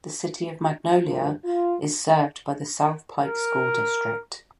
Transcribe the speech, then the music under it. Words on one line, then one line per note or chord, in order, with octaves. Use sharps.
The City of Magnolia is served by the South Pike School District.
D2 G2 F3 F4 A#4
F4
A#4